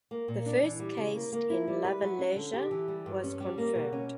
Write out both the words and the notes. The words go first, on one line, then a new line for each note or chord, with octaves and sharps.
The first case in Lavalleja was confirmed.
A#3
A#2
D4
E3
G3
C#3
A#3
A#3
E4
G3
B4
F#3
C#4
D3
G4
E3
G3
G2
C#4
G3
A#3
B2
C#4